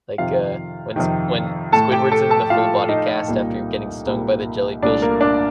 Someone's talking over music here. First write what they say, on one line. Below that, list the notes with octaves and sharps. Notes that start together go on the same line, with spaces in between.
like, uh, when s when Squidward's in the full-body cast after getting stung by the jellyfish,
F2 C3 D#3 F4 F5
F2 C3 D#3
A2 A3 A4 A5
G4 G5
A4 A5
A4 A5
A2 A3 F4 F5
D#4 D#5
C2 A#2 G3 A#3
C2 A#2 G3 A#3
C2 A#2 A3 D4 D5
A#3 A#4
D4 D5